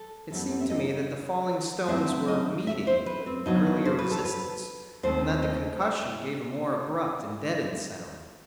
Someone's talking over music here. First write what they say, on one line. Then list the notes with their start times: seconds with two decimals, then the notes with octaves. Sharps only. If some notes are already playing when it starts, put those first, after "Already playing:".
It seemed to me that the falling stones were meeting with an earlier resistance, and that the concussion gave a more abrupt and deadened sound.
Already playing: A4
0.30 F#2 E3 G3 B3 A4
0.61 E5
0.70 D#5
1.88 G2 F#3 A3 C4 E5
2.28 D#5
2.67 E5
2.87 C5
3.06 B4
3.26 C4
3.46 G2 F#3 B3 D#4
3.85 C5
3.99 B4
4.11 A4
4.25 B4
5.03 D#2 D#3 A3 C4 C5
5.42 D#5
5.82 E5